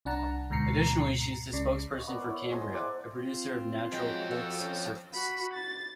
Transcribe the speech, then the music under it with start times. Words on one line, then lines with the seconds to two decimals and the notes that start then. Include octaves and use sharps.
Additionally, she is the spokesperson for Cambria, a producer of natural quartz surfaces.
0.05 C2 D4 F#5 A5 A#5
0.50 D2 G#2 B2 A#5 C7 C#7
1.53 C#2 C#3 D5
1.95 D#5 C#6
2.07 B3 A#4 D5
2.25 E4 C#5
2.51 G#4 C5 D#5 A5
2.74 D5 E5 F#5 G#5
3.16 C4 F4
3.92 F3 F#3 G#3 G5
4.31 F#4 A4
4.60 C4 C#4
5.13 F#4 B5
5.54 A6